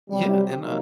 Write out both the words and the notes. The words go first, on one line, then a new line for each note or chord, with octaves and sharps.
Yeah, and, uh
C3 F#3 G3 C4 G4
C3 F#3 A#3 D#4